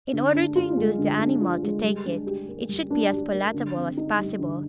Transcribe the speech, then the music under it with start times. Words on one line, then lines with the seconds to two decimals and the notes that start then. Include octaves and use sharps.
In order to induce the animal to take it, it should be as palatable as possible.
0.13 D3
0.35 D4
0.56 F4
0.77 G#3
0.99 D3
1.20 D4
1.41 F4
1.63 G#3
1.84 G3
2.06 D4
2.26 G4
2.48 A#3
2.69 G3
2.90 D4
3.12 G4
3.33 A#3
3.54 D3
3.76 C4
3.97 D#4
4.19 G3
4.39 D3